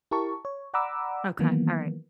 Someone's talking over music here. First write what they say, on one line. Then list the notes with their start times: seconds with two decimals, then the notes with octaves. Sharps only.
Okay, alright.
0.11 E4 G4 A#4 A5 C#6
0.45 C#5
0.74 D5 F#5 A#5 B5 D6 E6
1.39 D#3 E3 F#3 A#3 B3